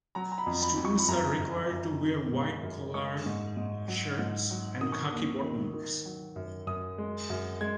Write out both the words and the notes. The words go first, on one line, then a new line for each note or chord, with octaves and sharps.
Students are required to wear white collared shirts and khaki bottoms.
F#3 A#5
A#5
B5
F2
B5
F2
C#6
B5
F#2 A#5
F#2
F#2
D#3
G#3
F#2
G#3 C#6
G#2
G#2
F#3
G#2
F#3
D#3 D#6
C#6
D#6
D#2
D#3
D#3
F#3
F#2
F#2 D#6
G#3
F#2
G#3 G#6